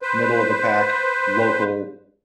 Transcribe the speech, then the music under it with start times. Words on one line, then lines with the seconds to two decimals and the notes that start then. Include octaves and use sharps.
middle of the pack, local,
0.02 B4 C5